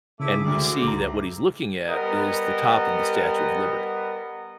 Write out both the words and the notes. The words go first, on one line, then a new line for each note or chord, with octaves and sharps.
and we see that what he's looking at is the top of the Statue of Liberty.
G2 C#3 A3 E4 G#4 D6
D2 D3 G#3
C#2 A#5
G3 B3 A#4 D#5 F#5